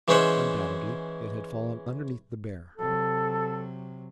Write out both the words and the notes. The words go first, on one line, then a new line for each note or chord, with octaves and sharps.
Undoubtedly it had fallen underneath the bear.
E3 G#3 C#4 C5 E5 F#5
C3 F#3 A4